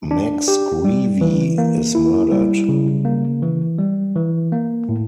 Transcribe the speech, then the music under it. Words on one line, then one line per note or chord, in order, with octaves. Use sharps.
Max Greevey is murdered.
D4
G4
G3
E3
A#3
E4
G3
C#3
A#3
E3
G3
E3
A#3
A2